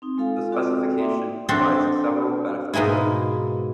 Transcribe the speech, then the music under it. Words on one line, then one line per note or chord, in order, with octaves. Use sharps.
The specification provides several benefits.
C4 D#4
G#3 F4 A4 F5 G#5
C4 F#4 A4 D5 G5 D6
A#3 D#4 D5 E5 C6
C4 D4 F#4 A4 C5 E5
G#2 B2 G#3 A#3 E4